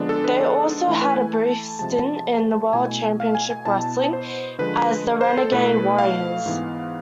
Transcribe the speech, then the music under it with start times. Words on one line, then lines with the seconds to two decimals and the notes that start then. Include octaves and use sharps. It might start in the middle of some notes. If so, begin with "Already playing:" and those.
They also had a brief stint in World Championship Wrestling as "The Renegade Warriors".
Already playing: D3 F3 G#3 B3 D4
0.09 A4
0.24 B4
0.41 A4
0.87 E3 A3 E4
1.02 B4
1.17 G#5
1.33 A5
1.79 C3 F3 G#3 A5
2.73 B2 A3 E4 G#5
3.20 F5
3.35 G#5
3.50 G#5
3.65 B2 B3 E4 A5
4.13 C5
4.59 D3 F3 G#3 B4
5.21 C5
5.37 A4
5.52 B2 A3 E4 B4
5.98 F5
6.46 G#2 E3 B3